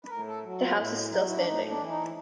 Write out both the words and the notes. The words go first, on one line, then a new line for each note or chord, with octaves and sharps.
The house is still standing.
B4
A2 A#4
A4
F#3
F4
A2 E4
F#3 D#4
E4
D4
A2 D#4
D4
E3
D#4